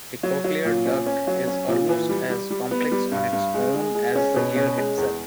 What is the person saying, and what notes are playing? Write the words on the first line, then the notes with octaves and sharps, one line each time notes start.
The cochlear duct is almost as complex on its own as the ear itself.
F#3
F#3
A#2
C#4
C#4
F#3
C#4
A#2
E3
G3
G3
G3
B3
G3
G2
G2
G#3
G#3
G#3
C#4
B2
C#4
G#3
E2